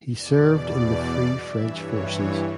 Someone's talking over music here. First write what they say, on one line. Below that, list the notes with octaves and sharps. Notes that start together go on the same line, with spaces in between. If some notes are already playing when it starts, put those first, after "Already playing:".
He served in the Free French Forces.
E2 B2 D5
G2 E3 E5
C#5
C#5